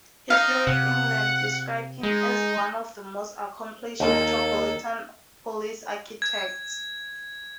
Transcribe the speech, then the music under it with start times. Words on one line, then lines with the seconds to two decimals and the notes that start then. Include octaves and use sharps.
Historic England describe him as "one of the most accomplished Metropolitan Police architects".
0.30 D#4 F5
0.67 C3 F#5
2.03 G#3 D#4
4.00 D#2 A#3 A4 A#4 G5
6.22 G#6